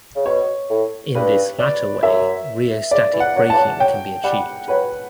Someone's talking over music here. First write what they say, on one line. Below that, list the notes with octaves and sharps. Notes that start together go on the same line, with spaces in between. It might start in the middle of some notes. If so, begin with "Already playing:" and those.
In this latter way "rheostatic" braking can be achieved.
C#3
B2 C#5
A2
G2 B4
D5
F#2 E5
C#3 D5
E3
F#5
F#3
E3 A5
F#3
F#3 G5
G3 F#5
F#3 B4